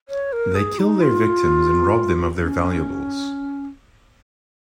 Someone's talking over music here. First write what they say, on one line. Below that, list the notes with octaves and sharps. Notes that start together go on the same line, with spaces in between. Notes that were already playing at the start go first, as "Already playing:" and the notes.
They kill their victims and rob them of their valuables.
C#5
A#4
G#4
D#4
F4
C#4